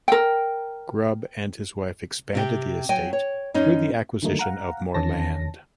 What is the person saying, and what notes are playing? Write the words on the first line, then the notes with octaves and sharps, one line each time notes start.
Grubbe and his wife expanded the estate through the acquisition of more land.
A#4 G5
C3 G4
F#3 G5 G#5
C#5
F#2 C#4 D#4
D3 D#3 F#3 A3 A#3 D#4
F5 F#5 A#5
E2 D#3 C#4 A5 A#6